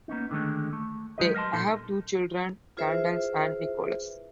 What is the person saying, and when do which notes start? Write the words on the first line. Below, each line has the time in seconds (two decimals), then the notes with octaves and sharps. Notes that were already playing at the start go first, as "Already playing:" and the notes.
They have two children: Candace and Nicholas.
0.08 A#3 B3 C#4 D#4
0.31 D3 D#3 G#3 A3
0.73 A3
1.18 F#3 G#3 G4 B4 D#5
1.35 A#4 D#5 F5 A5 C6
1.53 A#2 D#4 A4 C6
2.77 E4 F4 G#4 B4 C5 E5